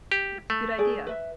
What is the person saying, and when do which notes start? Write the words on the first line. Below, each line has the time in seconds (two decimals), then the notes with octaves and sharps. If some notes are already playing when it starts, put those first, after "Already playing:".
It's a good idea.
0.12 G4
0.50 A3
0.78 G#4 D5
1.07 B4 E5